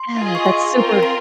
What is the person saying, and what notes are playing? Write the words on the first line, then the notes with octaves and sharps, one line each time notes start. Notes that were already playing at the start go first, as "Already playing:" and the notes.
Yeah, that's super
Already playing: C6
F4 G#4 D#5
C#6
C6
C4 F4 A#4
C6